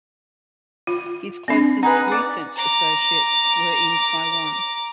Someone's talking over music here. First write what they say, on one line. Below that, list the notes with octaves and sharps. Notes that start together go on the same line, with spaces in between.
His closest recent associates were in Taiwan.
F4
C4 D4
D#4 G#4 B4 F#5
D5 F#5
A#5 D6